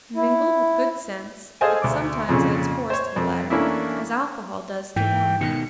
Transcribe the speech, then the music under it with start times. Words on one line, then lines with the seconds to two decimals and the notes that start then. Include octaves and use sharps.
Mingled with good sense, it sometimes adds force to the latter, as alcohol does to wine.
0.16 E4
1.61 G#4 A4 C5 D#5 F5 G#5
1.82 D2 D6
2.29 F2 A#2 C#3 C#4
2.90 C5 C#5
3.16 F2
3.50 E3 A3 A#3 C#4 D4 E4
4.96 G#2 E3 G5
5.41 B2 D#3 C#7